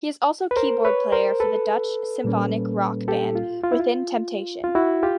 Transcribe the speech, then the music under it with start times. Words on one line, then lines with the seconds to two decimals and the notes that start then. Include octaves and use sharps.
He is also keyboard player for the Dutch symphonic rock band Within Temptation.
0.51 B4
0.57 A#4 C5
0.85 B4 C#5
1.12 A#4 C5
1.40 A4 B4
2.24 A#2 G3 A#3 C#4
3.08 G4 A4
3.35 F4
3.63 F4
3.72 E4
3.80 F4
4.64 F4
4.75 E4 F#4
5.03 F4 G4